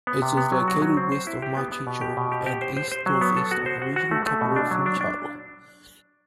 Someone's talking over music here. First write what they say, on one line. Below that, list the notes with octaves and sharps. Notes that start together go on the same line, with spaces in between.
It is located west of Machico and east-northeast of the regional capital of Funchal.
B3
C3
B3
F#3
F#4
F#3
C4
C5
E4
G4
B3
B3
B2
G4
B2
G4
G4
C5
C5
C5
F#3
B3
A4
F#4
C5
F#4
F#4
A3
A3
B2
D4
F#3
D4
D4